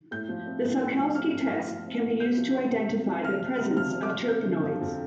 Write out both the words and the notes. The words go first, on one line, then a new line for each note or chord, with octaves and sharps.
The Salkowski test can be used to identify the presence of terpenoids.
A2 G6
F3
C4
A2
A2
F3
C4 F6
A2
A2
F3
C4
A2
C3 G6
F3
C4
C3
C3
F3
C4 F6
C3
C3
F3 F6
C4
D6
C3
C4 G6
D3
F3
F2